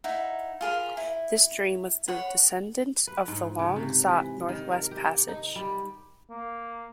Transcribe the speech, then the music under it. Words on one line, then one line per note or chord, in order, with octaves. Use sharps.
This dream was the descendant of the long sought Northwest Passage.
D#4 E4 F#5
F4 G#4 A#4 B5
E4
C#5 F#5 B5
B4
G#2
C#3
C3
E3
D#3
A#4
G4
D#4
G3
A#3